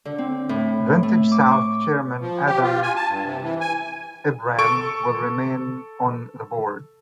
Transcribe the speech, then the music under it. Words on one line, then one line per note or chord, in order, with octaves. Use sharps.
VantageSouth chairman Adam Abram will remain on the board.
D3
C4
A2
A3
D6
C#6
F3
G4
F4
G#5
A5
G2
C3
E3
G#5
A4 C#6 D7